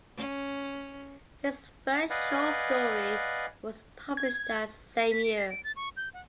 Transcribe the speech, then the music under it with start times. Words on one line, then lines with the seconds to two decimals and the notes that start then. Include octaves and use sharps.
His first short story was published that same year.
0.17 C#4
2.10 B4 D5 D#5 F5 F#5 G#5
4.17 G#6
5.11 B6
5.24 D7
5.37 C7
5.50 D7
5.64 A6
5.76 C#6
5.97 G6
6.14 F#5